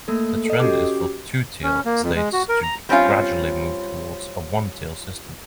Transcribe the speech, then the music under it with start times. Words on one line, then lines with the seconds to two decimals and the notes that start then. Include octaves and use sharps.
The trend is for two-tier states to gradually move towards a one-tier system.
0.08 A3 A#3 A4
0.46 A4 D#5
0.60 C#4 F#4 G4 D6
1.63 C#4
1.85 A#3
2.03 F2
2.16 G#3
2.33 F#4
2.49 A#4
2.63 A#5
2.89 G3 C4 C#4 F4 F5